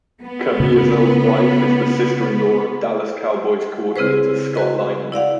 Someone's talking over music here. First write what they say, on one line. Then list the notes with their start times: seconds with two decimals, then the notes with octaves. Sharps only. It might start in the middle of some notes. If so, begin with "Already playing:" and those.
Caviezel's wife is the sister-in-law of Dallas Cowboys coordinator Scott Linehan.
0.21 B3
0.60 C#3
3.96 C#3 C4 E4 G#4 B4 C5
4.55 F#4 B4 D#5
5.12 E4 D5 F5 F#5